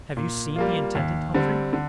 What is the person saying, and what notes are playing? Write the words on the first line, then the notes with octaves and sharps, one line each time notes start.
"Have you seen the intendant, Humphrey?"
A#2
G3 A#3 F4
D#2
D3 G3 C4
D3